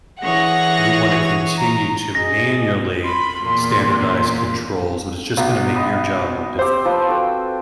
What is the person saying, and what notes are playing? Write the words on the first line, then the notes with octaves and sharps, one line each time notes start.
you wanna continue to manually standardize controls, but it's just gonna make your job more difficult.
E3 G#4 C#5 F#5 A#6
A#5
G#4 D#5 A#6
B5 C6
E2 A#2 A#3
B1
D#5 B5 D#6
C4 G4 C5 E6
F3 C4 B4
F#4 A4 G5